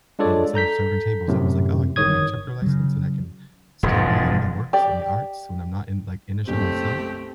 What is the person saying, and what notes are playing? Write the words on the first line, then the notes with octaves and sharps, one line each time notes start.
and instead of serving tables, I was, like, "Oh, I can get my interpreter license, and I can still be in the works, in the arts when I'm not in, like, in a show, myself,
G#3 D4 F4 A4 C#5 D5
A4 A#5 G6 B6
F#2 A2 C3
G1 D#3 C#5 D#6 G#6
C#3 F#3
E1 F2 G#2
G4 D5
F#1 B1 A3 C4 G4